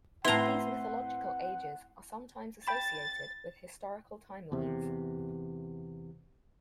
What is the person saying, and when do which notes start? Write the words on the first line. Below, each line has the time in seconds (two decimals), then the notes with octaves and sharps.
These mythological ages are sometimes associated with historical timelines.
0.25 A2 C4 E4 B4 F#5 A#5 C6 G7
2.67 G5 B5 A6 E7
4.52 E2 C3